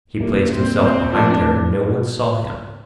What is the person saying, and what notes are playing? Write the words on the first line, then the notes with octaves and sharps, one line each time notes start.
He placed himself behind her, and no one saw him.
C2 A#3
C3 G3 A#3 C4
A#2 C4
F3 A3 C4 D4
A2